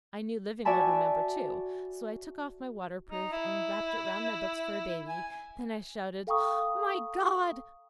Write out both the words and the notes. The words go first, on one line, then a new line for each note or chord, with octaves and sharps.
I knew Living would remember, too, so I took off my waterproof and wrapped it round my books for a baby; then I shouted, 'MY GOD!
F#4 D5 E5 G#5 A5 B5
D#4
E4
G#5
A4 F5 G5 A#5 C#6 D#6